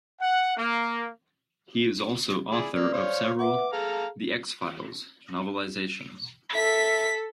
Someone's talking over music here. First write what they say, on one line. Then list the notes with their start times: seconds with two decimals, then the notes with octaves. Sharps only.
He is also author of several "The X-Files" novelizations.
0.21 F#5
0.57 A#3
2.52 E4 G#4 D5
2.73 A#3 D5
2.93 C5 C#5 F5
3.39 B4 E5 F#5 D6
3.73 G#4 A4 F5 A#5
6.55 A4 E5 B6